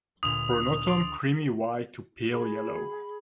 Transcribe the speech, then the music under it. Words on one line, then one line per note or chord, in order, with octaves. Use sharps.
Pronotum creamy white to pale yellow.
D2 A#2 D#6 F7
C6 D6 A6
G#4 B5